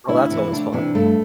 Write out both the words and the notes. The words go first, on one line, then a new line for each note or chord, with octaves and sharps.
Well, that's always fun.
D2 E4
C3 E3
E4
D2 D4
C3 E3
G2 A3